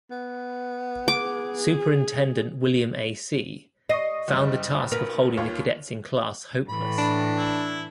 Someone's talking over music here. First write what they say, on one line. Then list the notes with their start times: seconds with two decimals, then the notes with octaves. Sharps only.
Superintendent William A. Seay found the task of holding the cadets in class hopeless.
0.11 B3
1.08 G#4 D6
3.89 D#5 C#6 D#6 C7
4.28 F#1 G3
4.92 B1 A#4 B4
5.37 D#2 F4 C#5
6.69 A2 E3 B5
6.98 D4
7.36 E4